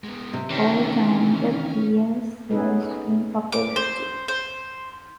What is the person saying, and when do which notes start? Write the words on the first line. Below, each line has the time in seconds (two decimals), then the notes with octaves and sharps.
Over time the beer surged in popularity.
0.04 G#3 B3
0.33 C3
0.50 D#3 E3 C#4
2.51 B3 C#4 D#4 G#4 A4 B4
3.52 D6
3.76 C5
4.28 C5